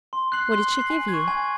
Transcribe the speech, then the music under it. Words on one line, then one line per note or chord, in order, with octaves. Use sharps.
'What did she give you?'
C6
F#6 C7 F#7
C6
F#6 C7 F#7
G#5
G#6
C#6
G#5